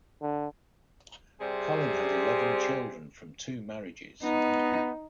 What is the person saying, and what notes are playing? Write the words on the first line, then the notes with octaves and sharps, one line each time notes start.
Colin had eleven children from two marriages.
D3
C3 G3 C4 G#4
B3 D#4